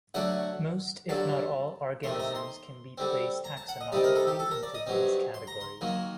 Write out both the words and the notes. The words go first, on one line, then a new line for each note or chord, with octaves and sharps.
Most, if not all organisms can be placed taxonomically into these categories.
D3 F#3 A3 D4 F#5
G2 D3 F#3 A5
C3 D#3 A3 C6
A#5
C6
D3 G3 C4
A#5
A5
F#5
D#5
C3 G3 C4 D#4 D5
A#4
A4
G4
A4
A#4
D5
D#5
G2 F#3 C4
C6
A#5
C6
D#3 F#3 A#3